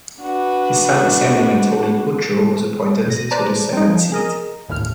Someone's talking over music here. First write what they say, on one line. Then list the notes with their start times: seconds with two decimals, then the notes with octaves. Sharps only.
His son Assemblyman Tony Bucco was appointed to the Senate seat.
0.20 D4 F#4 B4
3.08 B2 A#6 D#7
3.31 B4 C5 D5 A5 A#5
3.73 C4 D#4
3.87 F3
4.12 G#4 A#4 D#5
4.69 G1 D#2 A2 F6